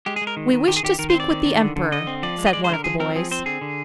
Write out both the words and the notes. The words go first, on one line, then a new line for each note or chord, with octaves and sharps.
'We wish to speak with the emperor,' said one of the boys.
G#3 G4
G#4
G#3
A#4
D#3
D#3
D#3 G4
G#4
D#3 G4
D#3 A#4
C5
C4
D5
D#3
D#3
D3
D3
D3 D#5
C4
F3 D5
G#3
D#5
G#3 D5
C5
D3 A#4
F3 G#4
C4 A#4
F3 G#4
C4 C5
D3 G#4
D3